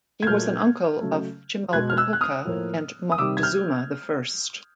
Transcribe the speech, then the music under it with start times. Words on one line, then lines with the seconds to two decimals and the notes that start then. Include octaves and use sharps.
He was an uncle of Chimalpopoca and Moctezuma the First.
0.23 G#6
0.27 A#2 F#3 A3 F6 G6
1.00 C#3 F#3 A3
1.73 B2 G#3 F#6 G#6
1.90 F6
1.97 E6 F#6
2.13 F#6
2.21 D#6 F6
2.45 A2 F3 A#3
3.12 D#6
3.18 C3 D#3 G3 D6 E6
3.37 G#6
3.43 F6 G6